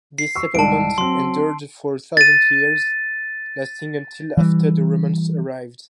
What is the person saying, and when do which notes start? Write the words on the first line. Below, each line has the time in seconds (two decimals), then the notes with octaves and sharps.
This settlement endured for a thousand years, lasting until after the Romans arrived.
0.19 C7
0.36 C#6 E6
0.55 C2 G#2 D5 A5 D7
0.98 F#3 C4 C6
2.17 A6 D#7
4.37 E3 G3